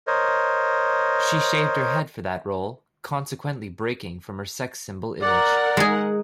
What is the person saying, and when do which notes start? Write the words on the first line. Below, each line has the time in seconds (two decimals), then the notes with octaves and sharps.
She shaved her head for that role, consequently breaking from her sex symbol image.
0.07 A#4 C5 C#5 D#5
5.22 A#4 D5 F#5
5.77 G#3 G#4